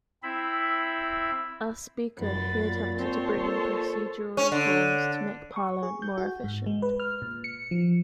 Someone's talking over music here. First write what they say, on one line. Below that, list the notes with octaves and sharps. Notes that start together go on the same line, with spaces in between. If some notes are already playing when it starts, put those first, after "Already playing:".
As Speaker, he attempted to bring in procedural reforms to make Parliament more efficient.
C4 E4 E5 B5
F1 F#2 B5 A6
A#2
C4 C5 C#5 A5
A4
C#4
D3
C#6
G#4
G6
F#4
G#2
G#3
B4
F6
A#2
C#7
F3